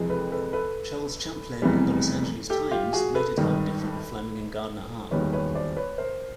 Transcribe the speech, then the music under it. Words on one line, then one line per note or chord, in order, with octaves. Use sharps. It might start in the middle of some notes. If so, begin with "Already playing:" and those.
Charles Champlin in the "Los Angeles Times" noted how different Fleming and Gardner are.
Already playing: F2 C3 E3 G#3
A4 B4
A4 B4
A4 B4
F1 E2 C3 E3 G3
G4 A4
F4 G4
F#4 G#4
A4 B4
G#1 G2 D#3 G3
E1 D#2 D#3 G3 B4 C#5
B4 C#5
C5 D5
B4 C#5
A#4 C5